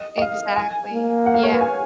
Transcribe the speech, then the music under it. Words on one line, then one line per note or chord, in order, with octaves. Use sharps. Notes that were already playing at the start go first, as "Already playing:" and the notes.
Exactly. Yeah.
Already playing: D#5
D#5
F5
G#5
A#3
F#5
F5
C#5
B4
G#5